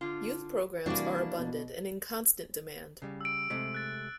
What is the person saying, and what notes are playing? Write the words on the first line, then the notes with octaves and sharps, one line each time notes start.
Youth programs are abundant and in constant demand.
D3 F4
C3 E3 G3 A#3 D4 E4 F#4 D5
B2
C#3 G3
E6 D7
C3 G#3 A3
F#6 A6